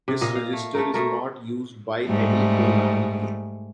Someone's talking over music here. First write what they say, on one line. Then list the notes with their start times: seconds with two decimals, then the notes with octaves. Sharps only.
This register is not used by any Konami game.
0.08 C3
0.21 A#2 D#5 F5
0.35 F5
0.53 A3
0.75 A3 A4 A#4
0.94 B2 A3 A#4
2.05 G#2 G3 A3